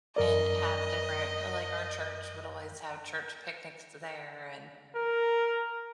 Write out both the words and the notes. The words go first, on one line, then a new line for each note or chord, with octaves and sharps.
and have different like, our church would always have church picnics t there. And
F#2 A#4 D5 D#5
A#4